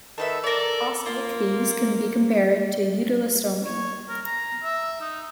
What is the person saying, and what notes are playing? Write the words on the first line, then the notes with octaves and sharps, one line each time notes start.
Osteichthyes can be compared to Euteleostomi.
D#3 A4 B4 E5
A4 A#4 D5
A#3 F4
C#5
A#4
A#5
E5
D#4